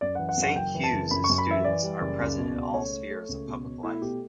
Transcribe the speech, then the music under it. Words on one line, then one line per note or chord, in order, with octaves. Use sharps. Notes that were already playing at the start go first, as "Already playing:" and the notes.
Saint Hugh's students are present in all spheres of public life.
F#2 D5
E3 F#5
F#5
F#2
F#5
F#1 G5
E3
A5
F#1
F#2 B5
C#6
F#2
B5
E3 E5
E3 D5
G3
F#1
C#2
B2
C#2
A3 C#5
A3
A3
C#2
B2
B2
A3 E4
B2 G4